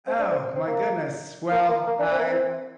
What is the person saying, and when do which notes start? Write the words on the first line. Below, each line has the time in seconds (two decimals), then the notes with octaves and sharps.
Oh, my goodness, well, I
0.08 C4
0.19 D4
0.32 C4
0.55 C4
0.67 A#3
1.51 A#3
1.69 A#3
1.87 A#3
1.99 D4
2.12 C4
2.19 A#3
2.23 C4